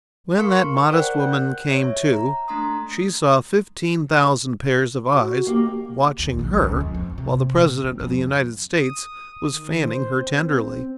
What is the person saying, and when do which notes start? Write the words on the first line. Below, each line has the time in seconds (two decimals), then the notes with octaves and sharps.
When that modest woman "came to," she saw fifteen thousand pairs of eyes watching her while the President of the United States was fanning her tenderly.
0.38 A#4 F5 C6 C#6 C#7
0.90 A#4 C5 D5 F#5 G5 F#6
1.19 F#6 G6
1.68 C#5 E5 G#6
2.13 A#5
2.48 A3 D4 A#5 C6 D#6
5.13 F#4
5.47 A#3 G4
6.19 D#2
6.39 A#1
6.57 C#2
6.81 F2
6.94 C4
7.18 C3
7.54 A#2
7.84 C4
8.00 F2
8.79 D#6
9.47 D#3
9.82 C5
10.13 C4